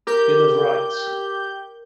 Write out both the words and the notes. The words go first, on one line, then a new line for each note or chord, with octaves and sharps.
Bill of Rights.
G4 A#4 G6